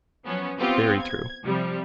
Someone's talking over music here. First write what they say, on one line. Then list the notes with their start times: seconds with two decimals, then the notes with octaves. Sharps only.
Very true.
0.24 F3 F#3 B3 C#4
0.59 B3 C4 F4 G4
1.01 G#6
1.43 C3 F3 G3